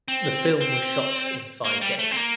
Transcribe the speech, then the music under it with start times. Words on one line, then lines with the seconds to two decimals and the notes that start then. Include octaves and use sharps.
The film was shot in five days.
0.08 C4
0.61 C4
1.65 A#3
1.81 G3
1.99 A3
2.11 C4
2.16 A#3